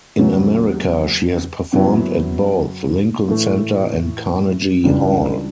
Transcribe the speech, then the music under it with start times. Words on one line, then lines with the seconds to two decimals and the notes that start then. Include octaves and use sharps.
In America, she has performed at both Lincoln Center and Carnegie Hall.
0.17 E2 C#3 F#3
1.73 F#2 C#3 F#3 B3 E4
3.28 A2 E3 A3
4.84 C#2 C#3 E3 G3 D4